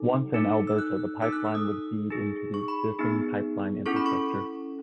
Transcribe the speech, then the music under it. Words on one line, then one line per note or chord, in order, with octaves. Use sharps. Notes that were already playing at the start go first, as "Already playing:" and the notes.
Once in Alberta, the pipeline would feed into the existing pipeline infrastructure.
Already playing: D#4 A4
D#4 A4
E6
F#6
D#4 A4 E6
F#6
E6
D#6
D#4 G#4
C#6
B5
B3 D#4 G#4
C#4 E4 A4 C#6
B5
C#6